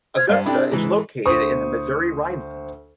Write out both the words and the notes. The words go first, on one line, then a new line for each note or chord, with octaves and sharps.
Augusta is located in the Missouri Rhineland.
C5 F6 G#6
G2 C5 D5 F5
C3 D4 E4 A4 G5 B5
G#4
G#2 E3
D2 C5 C#6 D#6